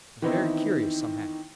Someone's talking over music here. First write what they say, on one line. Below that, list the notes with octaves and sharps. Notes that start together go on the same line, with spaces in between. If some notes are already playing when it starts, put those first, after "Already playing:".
It was very curious, somehow.
D#3 E3 B3 C4 D#4 E4